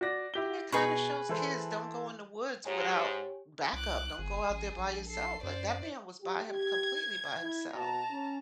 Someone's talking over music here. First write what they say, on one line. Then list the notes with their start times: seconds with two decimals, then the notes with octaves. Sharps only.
And it kinda shows kids don't go in the woods without backup. Don't go out there by yourself. Like, that man was by him completely by himself.
0.01 F#4 D5 A#6
0.34 E4 G4 G7
0.72 B2 G#4 B4 C#6
1.29 E3 A4 C5
2.65 G#2 G4 C#5 G#5
3.73 C2 D6 F#6
4.18 G1 G#4
4.50 A1
4.78 A#1
5.07 A4 C7
5.43 F#2 C5 D5
6.21 G4
6.56 G#6
7.38 E4
7.74 B2 F#4 A5 A#5
8.10 C#4